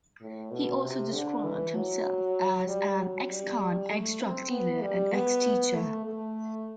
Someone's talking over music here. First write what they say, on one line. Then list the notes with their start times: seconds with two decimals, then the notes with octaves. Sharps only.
He also described himself as an "ex-con, ex-drug dealer and ex-teacher".
0.21 A2
0.51 B2
0.82 C3
1.13 D3
1.44 E3
1.75 F#3
2.67 G3
2.98 F#3
3.29 G3
3.90 A3
4.21 C4
4.51 B3
4.82 G3
5.12 B3
5.74 A3
6.05 A3